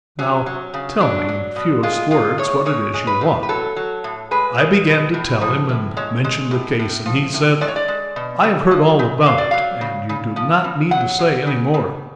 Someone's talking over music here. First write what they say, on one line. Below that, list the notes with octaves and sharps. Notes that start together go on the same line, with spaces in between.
Now tell me in the fewest words what it is you want." I began to tell him, and mentioned the case, and he said: "I have heard all about it and you do not need to say any more.
F#3 C#4
F#3
C#3
F#3 D4
F#3
B2
G#3 F4
G#3 F4
A2 C#5
G#3 C#5
G#3
B4
A2
B4
F#3 A4
F#3
A2
G#3 B4
G#3
B2
A2
F3
A2
G#3 C#5
G#3
A2
A2
F3
A2
G#3 D5
C#5
D5
G#3
B2
C#3
F3
C#3
F#3 F5
D5
F#3 F5
C#3
C#3
F3
C#3
F#3 F#5
F#3
C#3
C#3